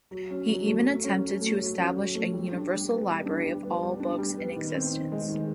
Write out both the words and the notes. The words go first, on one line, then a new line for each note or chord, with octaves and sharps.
He even attempted to establish a "universal library" of all books in existence.
F#3
C#4
F#3
A3
F#3
C#4
F#3
A3
F#3
C#4
F#3
A3
G3
D4
G3
B3
G3
D4
G3
B3
G3
D4
G3
B3
D#3
C4
D#3
G#3
D#3